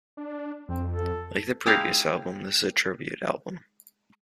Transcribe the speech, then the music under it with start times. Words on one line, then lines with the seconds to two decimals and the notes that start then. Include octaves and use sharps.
Like the previous album, this is a tribute album.
0.17 D4
0.69 F2 C4
0.91 A4
1.66 G#3 D#4 E4 G4 F5